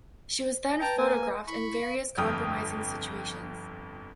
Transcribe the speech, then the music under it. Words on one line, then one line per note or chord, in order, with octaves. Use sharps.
She was then photographed in various compromising situations.
B4 G5 A5 A#5
A#3 G#5
E4 B5 C#6
F5
G1 F2 G5 D#6 F6 G6